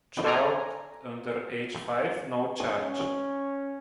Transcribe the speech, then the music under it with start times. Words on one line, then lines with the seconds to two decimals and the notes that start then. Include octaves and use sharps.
Child under age five: no charge.
0.24 A4 C5 D5 G#5 A#5
2.74 C#4